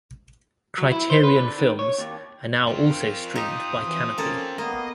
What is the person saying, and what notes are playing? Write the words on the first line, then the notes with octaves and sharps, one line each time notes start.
Criterion films are now also streamed by Kanopy.
F#3
E4
C5
B4
D3
D#3
C#5
D#2
C4 C#4 F4 A#4
D#4 G4 D#6
E3
A#3 C#4 A4
A#3 B3 C#5 D#5 F5 A#5